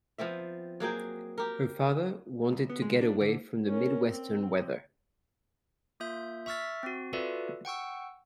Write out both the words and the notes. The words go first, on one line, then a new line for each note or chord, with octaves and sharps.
Her father wanted to get away from the Midwestern weather.
F3 B3 C4 E5
F#3 A#3 G#4 G5
G4 A#4
C2
B3
G#3
D4
D3
C#4 A#4
C4
A#3 F4 E5 G6
E5 C#6 E6 F6 A6 B6
C4 F#4
F4 F#4 A4 B4 D5 E5
F#5 G5 C#6 E6